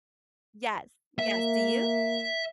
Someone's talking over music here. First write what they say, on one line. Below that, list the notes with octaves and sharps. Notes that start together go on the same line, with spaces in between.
Yes, yes, do you?
A#3 E5